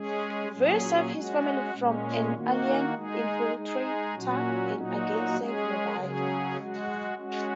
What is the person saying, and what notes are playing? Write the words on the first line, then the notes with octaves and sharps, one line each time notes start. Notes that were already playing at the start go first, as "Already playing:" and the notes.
Veer saves his family from an alien infiltrator and again saves Mumbai.
Already playing: G#3 C#4 G#4
A#2 F#3 C#4 G#4
G#3 C#4 F#4
A#2 G#3 C#4
D#3 A#3 F#4
G#3 D#4 G#4
G#3 D#4 G#4
A#2 F#3 C#4 F#4
A#2 F#3 D#4 F#4
G#3 C#4 G#4
C#3 F#3 C#4 G#4
G#3 F#4
G#3 C#4 F#4